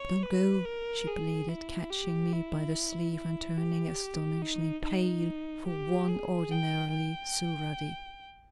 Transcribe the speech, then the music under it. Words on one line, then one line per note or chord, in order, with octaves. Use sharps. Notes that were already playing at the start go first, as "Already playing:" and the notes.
"Don't go," she pleaded, catching me by the sleeve and turning astonishingly pale for one ordinarily so ruddy.
Already playing: C#5
B4
A#4
G#4
E4
G4
E4
E4
G4
D#4
D#4
G4
G#4
G5
G5